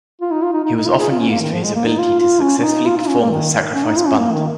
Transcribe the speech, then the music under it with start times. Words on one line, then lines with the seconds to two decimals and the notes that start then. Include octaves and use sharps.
He was often used for his ability to successfully perform the sacrifice bunt.
0.21 F4
0.31 D#4
0.42 F4
0.53 D#4
0.64 D#4
0.76 D#4
0.87 F4
0.98 G#4
1.09 F4
1.19 C#4
1.30 A#3
1.42 D#3
1.53 F3
1.64 G#3
1.75 A#3
1.86 D#4
1.98 F4
2.20 F4
2.42 C#4
2.58 C#4
2.64 D#4
2.86 F4
2.97 F4
3.08 C#4
3.20 A#3
3.31 D#3
3.74 C#4
3.86 D#4
3.97 F4
4.07 C#4
4.18 A#3
4.33 D#3